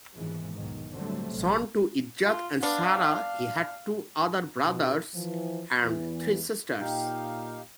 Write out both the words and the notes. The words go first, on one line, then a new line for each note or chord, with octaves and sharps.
Son to Ezzat and Sara, he had two other brothers and three sisters.
D#2 G#2 B2 E3 F3 G#3
B1 E2 G#2 D#3
A#2 D3 F#3 G3 A3 C4
A#1 C3 G3
F4
B3 D4 F5
B2
E3 F3
E2 E3
A#2 D#4 G4 F5 G5